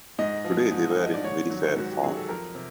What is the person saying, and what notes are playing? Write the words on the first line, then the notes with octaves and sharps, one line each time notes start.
Today they were in very fair form.
G#2 D#5
F3
G#2
F3
D#5
D5
G#2 C#5
D#3 F#3
G#2 F#4
G4
D#3 F#3 G#4
A4
F2 A#4
C3